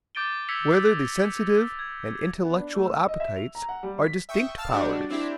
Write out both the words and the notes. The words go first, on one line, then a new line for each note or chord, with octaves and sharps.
Whether the Sensitive and Intellectual Appetites Are Distinct Powers?
D6 G6 A6 D7 D#7 G7
E6 G#6 A#6 B6 C#7 F7
A#6
G#6
B3
D4
A3
E6
D#5
E5
F7
A#5
F#5
G3
B6
E5 G5 C#6 D#6
F5 A5 E6 F6
G3 D4 F#4 G4 D5 D#5
C4 D4 E4 G4